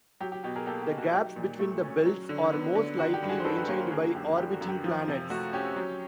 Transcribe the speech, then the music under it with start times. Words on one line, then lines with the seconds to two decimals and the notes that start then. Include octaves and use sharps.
The gaps between the belts are most likely maintained by orbiting planets.
0.20 F#3 G4
0.32 G4
0.44 B2 G4
0.56 G#4 A#4
0.66 A#3 G4 A4
0.82 G4
0.90 D#4
0.98 F#4
1.13 F#3 G4
1.36 A#2
1.59 A3
1.83 C#4
2.06 F#3
2.29 D3
2.52 B3
2.75 D3
2.99 D#3 F#4
3.14 G4
3.22 G2
3.29 F#4 G#4
3.40 C5
3.45 G3 A4 B4
3.57 A4 B4
3.68 A#3 B4 C#5
3.80 A#4 C5
3.91 D3 G#4 A#4
4.03 F#4 G#4
4.15 F#2 G4
4.37 G3 G4
4.53 F#4
4.61 F#2
4.69 G4
4.84 F3
5.08 C3
5.30 A3 F#4
5.53 C#4 G4
5.76 F#3